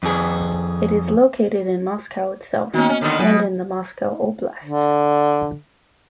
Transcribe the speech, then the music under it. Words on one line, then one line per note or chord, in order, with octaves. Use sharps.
It is located in Moscow itself and in the Moscow Oblast.
F2 G#4
D#3 A#3 B3 C#4 F#4
C#4 G#5
D3 D#3 B3
B2 F#3 B4 G#5
D3